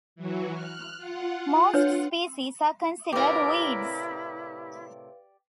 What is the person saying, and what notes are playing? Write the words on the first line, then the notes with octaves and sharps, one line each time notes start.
Most species are considered weeds.
E3 F#3 F#4
F6 F#6
F4 F#5
D4 B4 C#5
A2 C3 E4 G4 A#4 B4 D5 F5